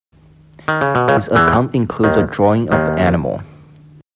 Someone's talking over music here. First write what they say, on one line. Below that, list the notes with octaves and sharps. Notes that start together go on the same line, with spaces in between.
His account includes a drawing of the animal.
D#3
C#3
B2
C#2 C#3
E2 E3
D#2 D#3
D#2 D#3